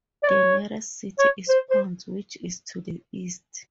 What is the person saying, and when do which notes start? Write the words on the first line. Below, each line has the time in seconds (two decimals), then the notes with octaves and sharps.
The nearest city is Ponce, which is to the east.
0.23 D5
0.29 C#5
1.19 C#5
1.49 C5
1.71 C5